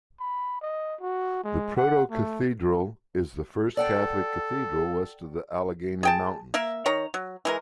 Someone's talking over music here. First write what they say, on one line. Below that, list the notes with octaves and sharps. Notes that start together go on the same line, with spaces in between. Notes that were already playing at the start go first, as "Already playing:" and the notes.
The proto-cathedral is the first Catholic Cathedral west of the Allegheny Mountains.
B5
D#5
F#4
G#3
F#5
A3
A4 D5 F#5 G5
G#4 G5 A5
A#3 A#4 E5
D#3 C#5 A#5
F#3
E3 G#3 A#4